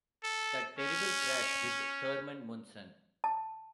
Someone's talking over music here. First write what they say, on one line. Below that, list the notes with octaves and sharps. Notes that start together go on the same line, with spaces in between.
That terrible crash with Thurman Munson.
A4
C#4
A5